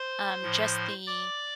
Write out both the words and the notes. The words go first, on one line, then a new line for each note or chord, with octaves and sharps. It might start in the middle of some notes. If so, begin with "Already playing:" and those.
um, just the,
Already playing: C5 C6
A2 F3
D5 D6